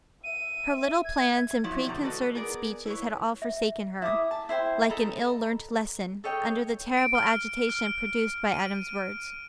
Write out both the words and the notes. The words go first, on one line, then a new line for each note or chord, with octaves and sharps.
Her little plans and preconcerted speeches had all forsaken her, like an ill-learnt lesson, under the terrible agitation produced by Adam's words.
E5 D#7
G#6
F3 F#3 B3 E4 C#5 D5
B2 D3 D#3 G3 G#5 A#5
A3 F#4 A4 B4 D5 D#5
B3 G#4 A#4 D5
E4 B4 C#5
E5
E4 D6 D#6
A5
E4 C5 G5 C6
A4 D#5 A#5 B5
A4 C#5 D#5 G5
D7
F6
F6
D#7